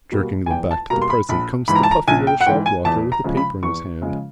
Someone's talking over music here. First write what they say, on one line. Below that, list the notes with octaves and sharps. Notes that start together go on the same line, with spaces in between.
Jerking them back to the present comes the puffy little shop-walker, with a paper in his hand.
B2 G3 A#3
G#5
E2 G5
A5
B2 G3 A#3 A#5
C6
B5
A#1 B5
G#2 E3 B5
A#5
A5
A#5
A#1 G#5
G5
F#5
G#2 E3 G5
G#5
E2 A5
A#5
C#3 F3 G#3
B5
E2 C#6
C#3 F3 G#3